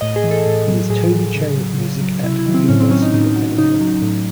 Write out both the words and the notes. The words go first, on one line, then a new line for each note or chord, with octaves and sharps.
He is Tovey Chair of Music at University of Edinburgh.
A2 D#5
G#4
E3
A4
A2 A4
F#3
A2 G#4
F#3
C#3
F#3
C#3
F#3
C3 E4
E4
D#3 F#3
C4
A2 C#4
C4
F#3 C#4
D#4
A2 D#4
F#3
C#3 D#4
F#3
A2